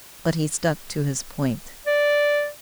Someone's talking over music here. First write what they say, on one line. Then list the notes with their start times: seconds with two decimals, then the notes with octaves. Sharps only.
But he stuck to his point.
1.87 D5